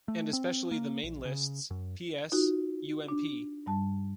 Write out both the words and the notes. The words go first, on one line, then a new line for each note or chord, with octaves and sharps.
And especially the main lists: PS, UMP.
A3
C4
A#3
A#1
C#3
F#2
D#4 F4 F#4
D4
G2 G3 A5